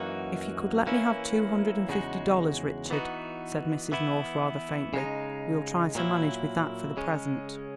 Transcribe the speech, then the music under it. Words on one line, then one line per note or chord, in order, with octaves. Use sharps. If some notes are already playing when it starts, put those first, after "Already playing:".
"If you could let me have two hundred and fifty dollars, Richard," said Mrs. North rather faintly, "we'll try to manage with that for the present."
Already playing: F#2 E3 A#3 D#4 F#4
E3 A#3 C#4 E4
E2 C#3 G#3 D#4 F#4
E3 B3 D#4 F#4
E3 B3 E4
C#3 G#3 D#4
A#2 F#3 A#3 E4
C#3 G#3 C#4